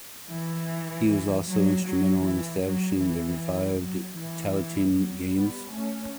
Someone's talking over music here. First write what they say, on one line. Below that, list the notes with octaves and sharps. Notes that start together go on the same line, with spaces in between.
He was also instrumental in establishing the 'revived' Tailteann Games.
E3
F#3
F#3
E3
F#3
E3
F#3
E3
F#3
G3 B3
A3 C#4